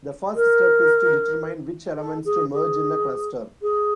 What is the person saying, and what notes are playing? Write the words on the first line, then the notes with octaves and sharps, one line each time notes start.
The first step is to determine which elements to merge in a cluster.
A#4
A4
G#4
G#4
G#4